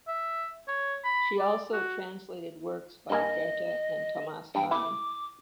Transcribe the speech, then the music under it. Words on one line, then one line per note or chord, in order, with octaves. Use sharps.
She also translated works by Goethe and Thomas Mann.
E5
C#5
B5
D5
F#4
G2 A#3 D#5 G#5
G2 G5
E4 D6